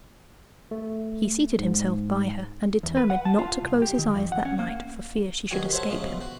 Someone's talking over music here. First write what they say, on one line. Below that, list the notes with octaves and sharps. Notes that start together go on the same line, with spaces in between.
He seated himself by her, and determined not to close his eyes that night, for fear she should escape him.
A3
G#2
E2
B4
F#5
A5
F4
C2
G4
D#3
F2
F#5
C#4
A#3
G2 B2 D#3 F#3 F#4 G#5
C5 C#5 E5 F#5 A5
G#2 C#3 F3 G#3 A3
B2
F#4